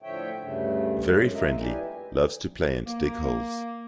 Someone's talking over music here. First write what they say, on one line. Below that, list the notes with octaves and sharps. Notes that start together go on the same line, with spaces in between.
Very friendly, loves to play and dig holes.
A2 D3 F3 C#5 E5 G5
D2 G2 C#3 A3
F#2 G#3
A3 F4 A#4 D#5 E5
E2 E3 D4 E4 G4 G#5
A#3